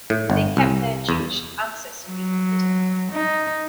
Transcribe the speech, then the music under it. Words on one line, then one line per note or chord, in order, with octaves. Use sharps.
They kept their Jewish ancestry hidden.
A2
G1
C2
E2
F#3
D#4